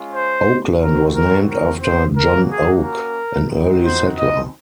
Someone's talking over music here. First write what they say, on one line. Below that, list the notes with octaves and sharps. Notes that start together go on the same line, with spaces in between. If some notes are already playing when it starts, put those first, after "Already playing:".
Oakland was named after John Oak, an early settler.
Already playing: G#3 C#4 F4
C5
C4 F#4 A#4
A#4
A#4
C5
A#3 C#4 F#4 A#4
G#4
A#4
C4 D#4 F#4
C5
D#5